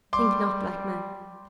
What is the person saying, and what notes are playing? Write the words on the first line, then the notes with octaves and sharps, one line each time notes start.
Think not black man.
G3 C6 D6